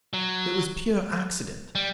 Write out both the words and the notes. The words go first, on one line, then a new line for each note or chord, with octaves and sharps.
It was pure accident.
F#3
G3